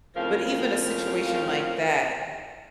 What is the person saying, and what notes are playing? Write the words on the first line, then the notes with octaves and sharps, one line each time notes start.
but even a situation like that,
F2 A2 C#3 F3 A#4 F5